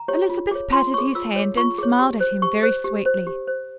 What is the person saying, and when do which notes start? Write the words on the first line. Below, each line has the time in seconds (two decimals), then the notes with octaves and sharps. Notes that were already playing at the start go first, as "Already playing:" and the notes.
Elizabeth patted his hand and smiled at him very sweetly.
Already playing: A#5
0.08 G4 C#5
0.30 F4
0.51 G#4 C#5
0.72 F4 C6
0.93 G#4 C#5 C#6
1.15 F4 E6
1.36 G#4 C#5
1.57 F4 C#6
1.78 G#4 C#5
1.99 G4
2.20 C5
2.42 G4 C#6
2.63 C5
2.84 G4
3.06 C5
3.27 G4
3.48 C5